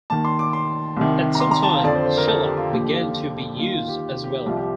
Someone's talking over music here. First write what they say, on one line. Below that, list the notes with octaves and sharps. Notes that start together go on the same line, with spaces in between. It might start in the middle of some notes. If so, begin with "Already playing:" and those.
At some time, shellac began to be used as well.
D#2 D#3 A5
C6
D6
C6
C2 C3 D#3
A#5
C6
A#5
A5
F5
F2 D3 F3 D5
C5
C5
A#4
A4
G4
F4
D#2 D3 F3 G4
F4
D#2 D#3 F4
F4
G4
G4
C2 C3 F3 F4
G4